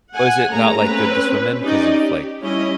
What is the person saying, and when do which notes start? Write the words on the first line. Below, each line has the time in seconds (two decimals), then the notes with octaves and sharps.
Was it not, like, good to swim in 'cause of, like,
0.14 F#5 G#5
0.52 A3 A#3 C#4 G#4 A#5
0.86 C4 C#4 B4
1.62 C#4 D#4 G4 D5 D#5
1.92 G4
2.42 G3 C#4 E4 D#5